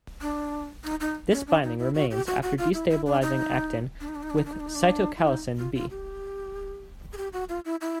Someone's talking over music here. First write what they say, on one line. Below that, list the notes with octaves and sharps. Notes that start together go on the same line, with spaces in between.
This binding remains after destabilizing actin with cytochalasin B.
D4
D#4
D#4
C#4
D4
D#4
E4
F#4
G4
F#4
F#4
F4
E4
E4
D4
D#4
D4
D#4
D4
D#4
D4
D#4
D4
D#4
D4
D#4
D4
E4
D#4
F4
F4
G4
G#4
G4
F#4
F4
E4
E4